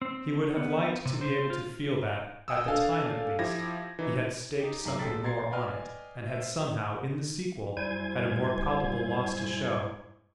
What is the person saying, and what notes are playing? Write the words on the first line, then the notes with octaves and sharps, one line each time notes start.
He would have liked to be able to feel that, at the time at least, he had staked something more on it, and had somehow, in the sequel, had a more palpable loss to show.
C4
B3
C3
C5
F4
D#5 G5 G#5 D#6 E6
D4 A4 F5 G#5
F3 E4 G4 G#6 A#6
E3 D#4
D#4 G4
F#2 C#3 D#4 A#5 C7 F#7
A1 G#3 A4 G5 A6 B6
A#5 C6 G#6 A6 C7
B4 D5 D#5 G5 G#5 F6
C5 E5
F#2 G3 E4 C5 G#5 G#6